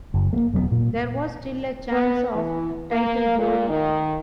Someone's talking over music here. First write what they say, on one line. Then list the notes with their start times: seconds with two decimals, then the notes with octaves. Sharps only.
There was still a chance of title glory.
0.14 F#1
0.33 A3 A#3
0.54 E1 F#3 G3 B3
0.72 A#2
1.91 B3
2.35 E3
2.91 A#3
3.38 A#2
3.68 D#3